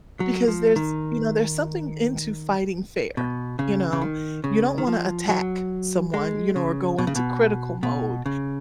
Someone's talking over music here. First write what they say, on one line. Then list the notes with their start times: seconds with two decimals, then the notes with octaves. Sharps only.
Because there's you know, there's something into fighting fair, you know, you don't wanna attack someone, you know, or go into critical mode,
0.20 F#3
0.48 F3
0.76 D#3
3.17 B2
3.59 C#3
3.93 C#3
4.02 D#3
4.44 C#3
4.78 D#3
4.87 F3
5.29 F#3
6.14 G#3
6.56 C#3
6.98 B2
7.07 C#3
7.15 B2
7.83 B2
8.26 C#3